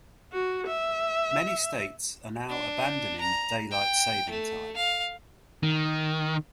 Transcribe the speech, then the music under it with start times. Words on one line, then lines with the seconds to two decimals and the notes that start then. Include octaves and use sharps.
Many states are now abandoning Daylight Saving Time.
0.32 F#4
0.67 E5
2.49 D4
3.21 A#5
3.71 G5
4.29 A3
4.77 F5
5.63 D#3